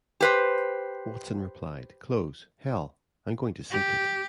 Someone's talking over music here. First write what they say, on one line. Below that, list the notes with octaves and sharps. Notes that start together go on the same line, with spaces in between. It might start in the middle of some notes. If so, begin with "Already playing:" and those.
Watson replied, Close, hell, I'm going to sink it.
G4 B4 C5
G4